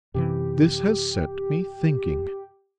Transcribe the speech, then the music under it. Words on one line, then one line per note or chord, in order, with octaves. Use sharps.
This has set me thinking.'
F#2 C3 E3 G4